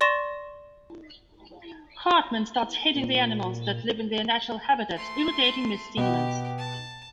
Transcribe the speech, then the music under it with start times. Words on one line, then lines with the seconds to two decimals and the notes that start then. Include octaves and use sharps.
Cartman starts hitting the animals that live in their natural habitats, irritating Miss Stevens.
0.01 D5 C6 C#6 A#6 E7
2.96 A#2
4.96 A3 C6
5.97 B2 B3 G4
6.58 A5